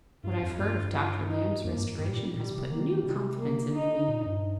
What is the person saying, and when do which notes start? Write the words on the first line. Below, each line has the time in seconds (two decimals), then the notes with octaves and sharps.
"What I have heard of Dr. Lamb's restoration has put new confidence into me."
0.24 G2 F4
0.42 F2
0.59 G2 F4
0.95 F4
1.29 D#4
1.64 F2 A#3
1.75 G2
1.98 G2 G3
2.11 A#2
2.33 A#2 G3
2.51 C3
2.69 D#3 A#3
3.03 C3 G3
3.38 A#3
3.74 D#4
4.08 A#2
4.26 G2